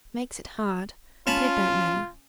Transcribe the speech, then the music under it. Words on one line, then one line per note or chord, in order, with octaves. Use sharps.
Makes it hard; but it don't matter.'
C#4 F4 A5 B5